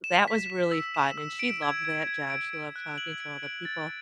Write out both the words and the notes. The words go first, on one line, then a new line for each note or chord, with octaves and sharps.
that was really fun, and she loved that job, she loved talking to all the people,
E7
B6
E7
E6
E7
E6
D7
G#6
G#6
G#6
D7
D7
F#6
F#7
D7
D7
A6